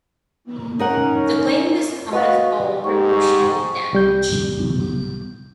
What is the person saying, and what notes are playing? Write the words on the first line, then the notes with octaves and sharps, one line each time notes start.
The claim was out of all proportion to the damage.
C#4 D#4 A#4 F#5
F#4 B4 D#5 F5
G#2 G4 C#6
C2 G3 G6